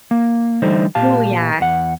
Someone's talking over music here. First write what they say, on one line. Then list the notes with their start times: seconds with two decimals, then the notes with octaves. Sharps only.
Ooh, yeah.
0.11 A#3
0.62 D3 E3 G3 A3 D#4 C5
0.95 A#2 G4 F5 A5
1.60 E2 F#5